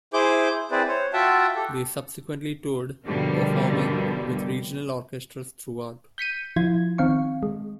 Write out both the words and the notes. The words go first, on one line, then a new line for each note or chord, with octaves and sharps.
They subsequently toured, performing with regional orchestras throughout.
E4 G#4 C5 D6 G6
C4 E4 G#4 B4 C5 D5
C5 C#5
F4 F#4 E5 F#5 G5 A5
G4 A4
G2 B2 D3 F3 G3 A#3
G6 B6 C#7 D#7
F3 E4 F4 G#6
D#3 C4 F5 C#6
G#3